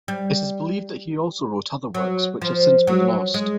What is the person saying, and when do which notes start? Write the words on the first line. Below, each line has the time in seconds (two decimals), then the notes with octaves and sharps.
It is believed that he also wrote other works which have since been lost.
0.08 G3
1.94 F#3
2.42 F3
2.87 F#3
3.34 G#3